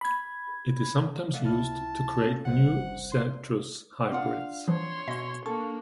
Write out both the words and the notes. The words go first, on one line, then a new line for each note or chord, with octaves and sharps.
It is sometimes used to create new citrus hybrids.
B5 G#6
A3 D5 F5 F#5
C#2 E4 A5 F6
C#4 F4 A4
G1 C2 C5 F#5
C6
D4 F4 F5 F#5
E3 F3 C#5 C6
B2 D#5 C#6
A#3 D4 A4 C#6